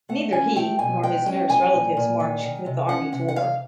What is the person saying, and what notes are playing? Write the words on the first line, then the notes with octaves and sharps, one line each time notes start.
Neither he nor his nearest relatives march with the army to war.
A3 F#5
C#4 G#5
A3 G5
B2 G#5
G#3 G5
C#4 G5
F3 G#5
A#2
A#2
D#3
D#3
C3
C#4 F#5
C3 F#5
F#5
C3 F5